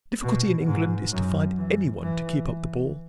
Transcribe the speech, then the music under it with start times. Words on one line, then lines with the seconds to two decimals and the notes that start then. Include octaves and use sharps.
The difficulty in England is to find any one to keep up the ball.
0.24 B2
0.67 G#2
1.12 F#2
1.57 E3
2.02 E3